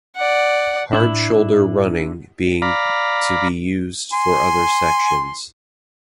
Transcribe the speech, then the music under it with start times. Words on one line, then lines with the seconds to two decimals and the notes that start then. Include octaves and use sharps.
Hard-shoulder running being to be used for other sections.
0.16 D5 F#5
0.93 A2 D4 E4 B5
2.62 D5 F5 A#5 B5
4.13 G#5 C6